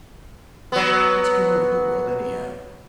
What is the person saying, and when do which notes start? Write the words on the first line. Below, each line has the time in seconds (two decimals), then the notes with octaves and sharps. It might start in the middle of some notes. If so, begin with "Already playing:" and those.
What's come over the world anyhow?
0.72 F#3 B3